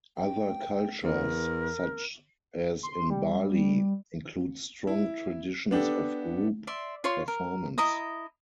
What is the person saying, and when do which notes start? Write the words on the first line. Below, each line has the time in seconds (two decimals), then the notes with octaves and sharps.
Other cultures, such as in Bali, include strong traditions of group performance.
0.17 G5
1.03 E2 A#4
2.83 C6
3.10 G3
4.87 E4
5.71 B3 D4 G4 A4
6.67 D5 E5 C6
7.04 F4 C#5 C6
7.28 A#4
7.78 E4 D#5 A#5 D#6